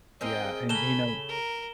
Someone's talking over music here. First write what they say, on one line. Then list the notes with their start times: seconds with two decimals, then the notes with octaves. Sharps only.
Yeah, and, y you know
0.21 C4 G#4 A#4 D#5 G5
0.69 C#3 A4 G#5 A#5 B5 E7 G7
1.29 A#4